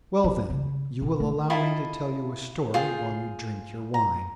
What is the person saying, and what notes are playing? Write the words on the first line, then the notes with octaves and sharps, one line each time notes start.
Well, then, you will allow me to tell you a story while you drink your wine.
F#3
C#3
B2
A3
E4 F4 D#5 A5
F4 G#4 G5
A#5